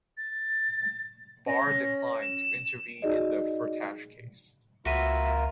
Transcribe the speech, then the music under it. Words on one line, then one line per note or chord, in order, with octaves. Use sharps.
Barr declined to intervene in the Firtash case.
A6
C#4 A#6
E7
D#4 F#4 G#4 D5 D#5
C#2 A#3 F4 F#4 A#4 B4 E5